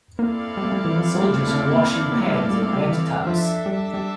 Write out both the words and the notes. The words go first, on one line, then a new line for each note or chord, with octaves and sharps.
Soldiers are washing pans in red tubs.
A#3 C4 E4 A4 D5 F5
G3
A3
G3
E3
F3
G3
A3
A3
A#3
A#3
A3
G3
A3
G3
A3
G3
E3
F3 D4 A4 E5
G3
G3